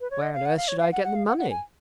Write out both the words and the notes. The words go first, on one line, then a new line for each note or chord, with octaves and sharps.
"Where on earth should I get the money?"
B4
C#5
D#5
F5
F#5
F5
C#5
F5
F#5
F#5
F5
F#5
F#5
G#5